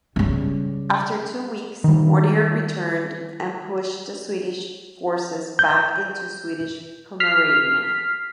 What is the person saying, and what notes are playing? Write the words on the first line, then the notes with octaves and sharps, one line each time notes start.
After two weeks Mortier returned and pushed the Swedish forces back into Swedish Pomerania.
C#3 G3
D#3 G3
G6
F6 B6 C7